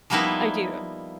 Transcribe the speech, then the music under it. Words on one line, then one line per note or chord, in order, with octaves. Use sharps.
I do.
F3 G3 A#3 B3 D#4 E4